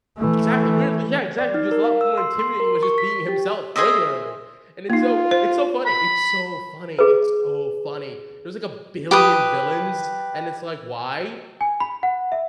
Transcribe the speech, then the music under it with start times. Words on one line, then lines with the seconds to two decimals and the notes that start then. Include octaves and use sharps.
Exactly, weirdly Yeah, exactly, he was a lot more intimidating with just being himself regularly, and it's so it's so funny. It's so funny. It's so funny, there was, like, a billion villains, and it's like, "Why?"
0.17 E3 A3
1.39 D5
1.54 D#4
1.71 A#4
1.84 F5
2.01 E6
2.18 C6
2.39 C6
2.60 A#4
2.83 C#6
2.98 B6
3.29 G4
3.76 G#4 C5 D#5 E5
4.90 A#3 D#4 F4
5.31 C5
5.86 B5
6.99 G#4 B4
9.11 G4 B4 D#6
11.61 G#5
11.80 B5
12.03 F#5
12.32 E5